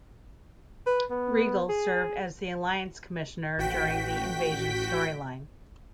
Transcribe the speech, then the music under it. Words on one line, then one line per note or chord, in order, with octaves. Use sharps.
Regal served as The Alliance Commissioner during the Invasion storyline.
B4
B3
G#4
A1 F#4 G5 B6